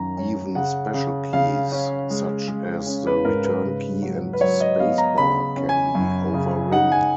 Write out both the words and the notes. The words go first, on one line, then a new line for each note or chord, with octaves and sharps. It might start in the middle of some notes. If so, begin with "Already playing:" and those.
Even special keys such as the return key and spacebar can be overridden.
Already playing: F#2 D#3 C#4 A#5
C#4
C#3 F#5
C#3
C#3 F5
C#4
G#3
G#3
C#4
B4
G#2 A#4
B4
C#3
F#3
B4
F#3 C#5
D#5
B3 F5
A#5
C#3 B5
C#4
G#5
F#2
C#3
D#4 F#5
G#5